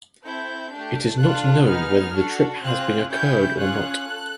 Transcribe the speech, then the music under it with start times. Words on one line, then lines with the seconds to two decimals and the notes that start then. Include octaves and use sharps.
It is not known whether the trip has been occurred or not.
0.24 C4 E4 A4 G6
0.72 A3 D4 G4
1.19 D4 F4 A4 F#6
1.67 B3 D#4 G#4 F6
2.15 D4 F#4 A4
2.62 C4 F4 G#4 F#6
3.10 C#4 E4 G4 G6
3.58 C#4 F4 G#4 F#6
4.06 A4